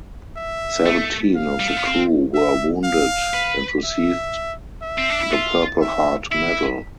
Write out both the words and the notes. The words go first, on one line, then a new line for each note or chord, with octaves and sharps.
Seventeen of the crew were wounded and received the Purple Heart medal.
E5
A3
F5
G3
A3
B3
C4
E5
F5
B4
E5
E5
C4
D4
E4
F4
E5
E4 E5